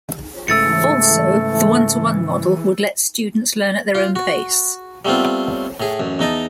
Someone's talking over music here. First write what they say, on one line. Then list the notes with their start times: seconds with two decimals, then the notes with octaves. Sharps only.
Also, the one-to-one model would let students learn at their own pace.
0.48 G#2 C#3 E3 A3 E6 A6 C#7
3.95 F4
4.16 F#4
5.05 G3 A3 B3 C4 F4
5.80 A2 G#4
6.00 A1 F#2
6.19 E2 D#4 D#5 A5